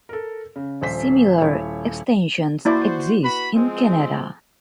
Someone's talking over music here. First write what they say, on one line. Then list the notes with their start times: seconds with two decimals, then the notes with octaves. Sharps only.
Similar extensions exist in Canada.
0.09 A4 A#4
0.56 C#3
0.81 D#1 A#1 C5 B6
1.41 D#1 E4 C#5
2.65 A#3 E4 F#4 C5 D5
3.23 F#4 B4 B5
3.54 F3 G#3 C4